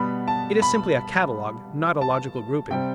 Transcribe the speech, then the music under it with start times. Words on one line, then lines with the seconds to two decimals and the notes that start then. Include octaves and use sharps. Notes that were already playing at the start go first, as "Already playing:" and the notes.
It is simply a catalogue, not a logical grouping.
Already playing: B2 G3 B3 B5
0.28 A5
0.62 B5
2.01 A5
2.70 C3 G3 C4 G5